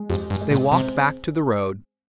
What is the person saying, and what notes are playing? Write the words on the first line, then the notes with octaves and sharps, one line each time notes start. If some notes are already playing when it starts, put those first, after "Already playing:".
They walked back to the road.
Already playing: G#3
F2 G4
G2
G#3
A#2
C3 C4